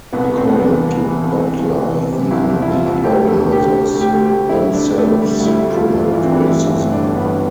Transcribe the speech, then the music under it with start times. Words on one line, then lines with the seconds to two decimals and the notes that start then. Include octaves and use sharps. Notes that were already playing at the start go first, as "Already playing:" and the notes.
According to Butler, even the organizers themselves promote racism.
0.13 C2 B3
0.31 C2
0.37 C4
0.47 C2 B3
0.54 C4
0.62 D4
0.67 E3
0.86 C2
1.04 E3
1.22 C2
1.40 C2
1.59 C2
1.77 E3
1.95 C2
2.12 C3
2.31 C2 E4
2.49 C2
2.62 E4
2.67 C2 F4
2.86 C2
3.04 D2 G4
3.22 D3
3.28 A4
3.40 D2
3.52 G4
3.58 D3
3.76 D3
3.95 D2
4.01 G4
4.13 D2
4.25 G4
4.31 D2
4.49 D3 E4
4.67 D3
4.73 D4
4.86 D3
4.98 A3
5.04 D3
5.22 D3 G3
5.40 D2
5.46 E4
5.58 D2
5.70 F4
5.76 D2
5.94 G2 D4
6.04 F4
6.13 E3 E4
6.23 C4
6.31 E3 D4
6.49 G2 E4
6.67 G1 E4
6.85 G2
6.92 D4
7.04 G1
7.16 B3
7.22 G2